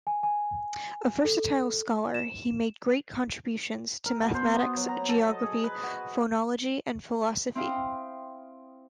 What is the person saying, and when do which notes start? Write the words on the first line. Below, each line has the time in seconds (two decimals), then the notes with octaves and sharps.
A versatile scholar, he made great contributions to mathematics, geography, phonology and philosophy.
0.07 G#5
0.23 G#5
1.25 A4
2.14 E7
4.06 A#4
4.21 B2
4.34 C5
4.54 B3
4.76 F#3
4.89 A#5
5.09 A4
5.29 D#5
5.43 G#4
5.64 B4
5.83 F#4
7.55 C4 E4 C5 F5 G5 D#6